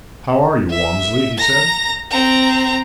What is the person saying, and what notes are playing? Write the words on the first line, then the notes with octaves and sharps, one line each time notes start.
"How are you, Walmsley?" he said.
E5
A#5 A#6
C4 A#5